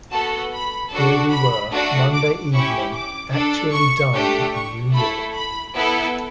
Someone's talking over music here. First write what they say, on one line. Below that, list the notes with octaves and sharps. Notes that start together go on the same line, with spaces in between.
Here we were, Monday evening, actually dining in New York.
B3 F#4 A4 A5
B5
D4 F#4 A4
B5
A3 D4 F#4
D6
C#4 E4 G4 C#6
D6
D4 A4
C#6
A3 D4 G4
C#6
A3 E4 A4 B5
B5
B3 E4 A4